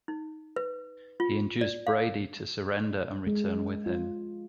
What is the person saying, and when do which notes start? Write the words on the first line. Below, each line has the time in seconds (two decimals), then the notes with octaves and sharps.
He induced Brady to surrender and return with him.
0.08 D#4
0.56 B4
1.20 F4
1.61 D5
1.87 F5
3.27 G#3
3.86 F4